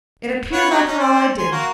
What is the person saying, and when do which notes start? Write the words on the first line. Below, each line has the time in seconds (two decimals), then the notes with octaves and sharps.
It appears after all I didn't.
0.52 B4 C#5 F#5
0.70 F#3 G4
0.87 C#4 D#4
0.99 C5 D5
1.38 G#5 C6
1.52 A#3 F#4 A#4